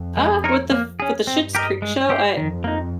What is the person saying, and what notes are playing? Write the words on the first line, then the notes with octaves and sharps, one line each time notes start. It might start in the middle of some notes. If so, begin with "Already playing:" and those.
Uh, with the f with the Schitt's Creek show, I
Already playing: F2
G#3
D#4 A#4 C#5
A#3
C#4 G#4
G2 C4
G4 A#4 D#5
G#3
C#4 G4 C5
F2 D#3
A#3 D#4